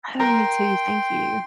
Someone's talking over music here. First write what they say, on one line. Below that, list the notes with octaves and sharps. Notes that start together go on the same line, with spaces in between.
Oh, me too, thank you.
A#4 G5 C6